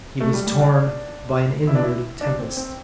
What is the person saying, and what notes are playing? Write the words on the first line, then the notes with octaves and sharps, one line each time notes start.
He was torn by an inward tempest.
A3
G3
G3
D4
E4
D4
E4
D4
C4
C4